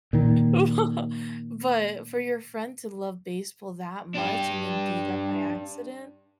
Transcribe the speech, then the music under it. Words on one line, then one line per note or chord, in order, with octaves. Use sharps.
Well, but for your friend to love baseball that much and then do that by accident,
A#2 D#3
D4 G4